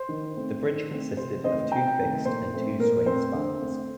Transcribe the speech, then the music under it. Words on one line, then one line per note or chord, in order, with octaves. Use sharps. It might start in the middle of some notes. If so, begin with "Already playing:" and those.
The bridge consisted of two fixed and two swing spans.
Already playing: C5
D#3
A3 C4
D#3
A3 C4
C3 C5
D#3 A3 C4 C5 D#5
C3 G5 A#5
D#3 A3 C4
A#2 C5
A3 C4
A#2 A#4
A3 C4 C5
D3
A3 C4